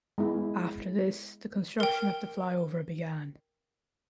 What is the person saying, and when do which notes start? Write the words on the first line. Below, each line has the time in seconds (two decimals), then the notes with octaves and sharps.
After this the construction of this flyover began.
0.18 G#3 B3 E4
1.80 A#4 G5